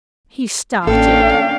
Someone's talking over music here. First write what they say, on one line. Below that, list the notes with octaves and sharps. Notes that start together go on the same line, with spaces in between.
He started.
A1 A#3 C#4 D4 A4 F5 G5